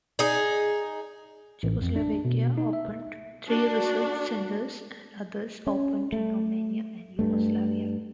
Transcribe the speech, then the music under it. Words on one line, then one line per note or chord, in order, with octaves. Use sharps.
Czechoslovakia opened three research centers, and others opened in Romania and Yugoslavia.
D#4 G#4
A1
F2
D4
B2
D#4
E5
D4 F#4
C#4
A3
G2 A3